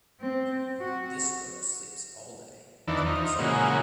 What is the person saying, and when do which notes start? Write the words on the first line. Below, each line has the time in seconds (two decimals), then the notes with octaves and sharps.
This girl sleeps all day and wakes up at night.
0.21 C4
0.80 F#4
2.88 E2 D#3 E3 D4
3.06 F3 D#4
3.39 A#2 C#3 E3 G#3 A#3 F#4